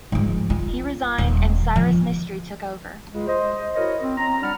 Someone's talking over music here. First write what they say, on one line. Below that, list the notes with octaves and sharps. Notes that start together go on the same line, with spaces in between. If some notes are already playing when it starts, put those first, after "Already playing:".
He resigned and Cyrus Mistry took over.
G#2 F3
F4
D#1
F3
C#2 C#3 G#3
C5 D#5
E4 F#4 A#4 C#5 D#5
C4
C4 A#5
G3 D4 D5 F#5 B5 F6